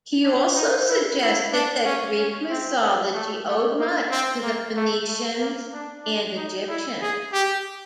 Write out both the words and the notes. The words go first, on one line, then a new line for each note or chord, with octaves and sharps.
He also suggested that Greek mythology owed much to the Phoenicians and Egyptians.
D4
D#4
E4
E4
D4
C#4
C#4
C4
B3
A3
A3
A#3
C4
A#3
A3
A3
A#3
D4
D4
D#4
E4
G#4
G4